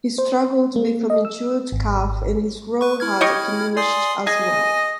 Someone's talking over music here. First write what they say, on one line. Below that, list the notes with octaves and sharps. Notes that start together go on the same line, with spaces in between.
He struggled with an injured calf and his role had diminished as well.
C5
A#3
D#5
E6
G#1
B4 C#6
E4 F6 G#6
G4 C#5 D#5
D5 G#5 C6 D#6
G#4 D#5 G#5 A#6